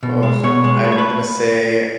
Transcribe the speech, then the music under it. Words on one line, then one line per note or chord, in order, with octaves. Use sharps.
Ugh. I'm gonna say
B2
G#3
B2 C#5
G#3
A3 B4
C#5
B4